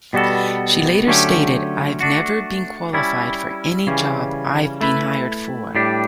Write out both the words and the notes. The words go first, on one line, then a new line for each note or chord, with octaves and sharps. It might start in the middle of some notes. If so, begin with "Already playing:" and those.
She later stated, "I've never been qualified for any job I've been hired for".
B2 G3 B3 F#4 A4
D3 F#3 A3 C#4 G4
A3 D4 F#4
G3 C#4 E4
C#3 E3 G3 C#4
A3 E4 B4
A2 G3 D4 G4